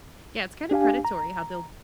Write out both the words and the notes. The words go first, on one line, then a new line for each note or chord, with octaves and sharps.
Yeah, it's kinda predatory how they'll
D4 G4 F5 G#5
A#5